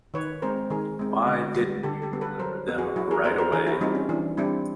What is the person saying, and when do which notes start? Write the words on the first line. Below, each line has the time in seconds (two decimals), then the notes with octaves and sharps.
Why didn't you deliver them right away?
0.14 D#3 B4 C#5
0.42 G#3 C4 A#4 C5
0.70 D#3 G#4 A#4
0.99 G#3 C4
1.28 D3
1.56 G3 B3
1.83 D3 G4 A4
2.02 G4 A4
2.12 G3 B3
2.21 A4 B4
2.40 F#3 A#4 C5
2.68 B3
2.78 F#4 G#4
2.96 F#3 E4 F#4
3.11 G#4 A#4
3.24 B3 A#4 C5
3.38 A#4 C5
3.53 E3 G#4 A#4
3.67 E4 F#4
3.81 G3 C4 D#4 F4
3.95 C#4
4.09 E3 D4
4.37 G3 C4 D4 E4